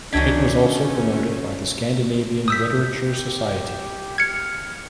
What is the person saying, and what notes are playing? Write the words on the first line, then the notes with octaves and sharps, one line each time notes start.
It was also promoted by the Scandinavian Literature Society.
C#2 D#3 F#3 A3 C#4 D4 G#6 B6
D#6 E6 G6 B6
G4
F6 G#6 C#7